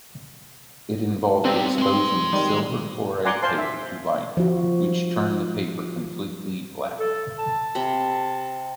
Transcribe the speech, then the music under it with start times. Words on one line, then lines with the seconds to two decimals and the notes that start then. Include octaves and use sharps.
It involved exposing silver chloride paper to light, which turned the paper completely black.
1.45 G3 B3 C4 D#4
1.78 G#3 C6
2.32 D#3 G3
3.25 D5 F#5 G#5 A#5 C6 D6
3.43 C5 F5 G#5 A5 C6
3.58 E5
4.37 F3 F#4
7.00 A4
7.39 A5
7.75 C3 A#5 B5